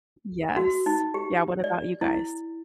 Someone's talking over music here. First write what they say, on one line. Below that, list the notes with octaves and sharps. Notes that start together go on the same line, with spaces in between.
Yes. Yeah. What about you guys?
F#4
D#4
G4
D5
E4